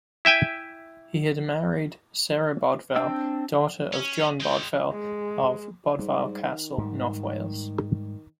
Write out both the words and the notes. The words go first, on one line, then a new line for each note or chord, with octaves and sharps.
He had married Sarah Bodvel, daughter of John Bodvel of Bodvile Castle, North Wales.
E4 E5 G5 G#5
C4 D4 G5 E6
C#4
G#3 G5
G#3
G#2 G3
D#3
G#2 G3